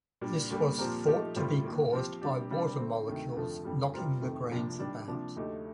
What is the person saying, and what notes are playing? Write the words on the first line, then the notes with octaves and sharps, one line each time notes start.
This was thought to be caused by water molecules knocking the grains about.
A#2 G3 A#3 D4
D#2 D3 G3 A#3
A#2 F3 C4 G4 A#4
F3 A3 D#4 G4
A2 G3 C4 F4
D#2 D#3 A#3
F3 C4 G4
C3 G3 D4 G4
C3 G3 D4
D3 A3 C4
D2 C3 D#3 A3
F2 D3 F3 A3
F2 D3 G3
C3 G3 C4 F4 A#4
F2 C3 D#3 A3
C2 C3 F3 A#3 D4
D#3 G3 D4
C3 F3 A#3 D4
D2 D3 A3 D#4 G4